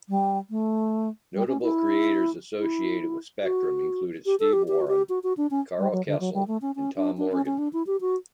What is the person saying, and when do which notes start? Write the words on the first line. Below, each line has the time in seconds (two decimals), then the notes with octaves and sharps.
Notable creators associated with Spectrum included Steve Woron, Karl Kesel and Tom Morgan.
0.09 G3
0.50 A3
1.34 G3
1.48 C#4
1.62 E4
2.59 E4
3.43 F#4
4.26 G4
4.40 A4
4.53 G4
4.68 G4
4.81 F#4
4.88 G4
5.09 F#4
5.23 F#4
5.37 D4
5.51 C#4
5.78 G3
5.92 F#3
6.06 D3
6.20 F#3
6.34 G3
6.48 A3
6.62 C#4
6.76 C#4
6.96 D4
7.17 D4
7.32 C#4
7.46 C#4
7.58 D4
7.73 E4
7.87 G4
8.01 F#4